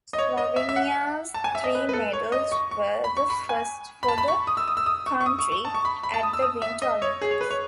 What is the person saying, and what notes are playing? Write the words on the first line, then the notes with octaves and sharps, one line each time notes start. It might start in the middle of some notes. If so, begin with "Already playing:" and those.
Slovenia's three medals were the first for the country at the Winter Olympics.
D#5
C#5
D#5
E5
E5
F#5
A5
G#5
E5
D#5
B4
B4
A4
C#5
D#5
C#6
C#6
B5
C#6
B5
G#5
B5
A5
B5
C#6
D#6
E6
D#6
E6
D#6
C#6
C#6
D#6
C#6
C#6
A5
C#6
B5
B5
A5
D#6
E6
D#6
E5
D#5
C#5
G#4
C#5
B4
C#5